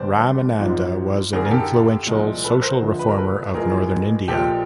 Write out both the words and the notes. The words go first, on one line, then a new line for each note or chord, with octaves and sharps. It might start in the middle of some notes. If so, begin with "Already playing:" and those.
Ramananda was an influential social reformer of Northern India.
Already playing: G1 G2 D3 G3 C5 D5
G#1 G#2 F3 G#3
G#1 F#2 D3 G#4 A#4
A#4
G4 A4
C2 A#2 F3 G#3
A4 B4
A#4 C5
D2 D3 F3 G#3
B4
A#4
A4 B4
A1 A2 F3 G#3 G#4 A#4
A#1 A#2 F3 G#3 G4 A4